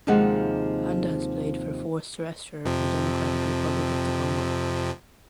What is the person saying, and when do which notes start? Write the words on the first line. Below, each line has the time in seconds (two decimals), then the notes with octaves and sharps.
Panda has played for Force Terrestre in the Democratic Republic of the Congo.
0.07 D#2 C3 F3 G#3 D#4 F#5
2.65 F2 C3 F3